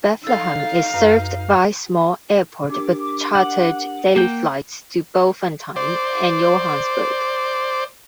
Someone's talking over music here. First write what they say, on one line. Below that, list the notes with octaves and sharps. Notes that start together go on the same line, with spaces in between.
Bethlehem is served by small airport with chartered daily flights to Bloemfontein and Johannesburg.
D#4 A4 F5 E6
A4
F#2 B4
D4 G4 A#4 D6
F#5
A#3 G5
C5 D5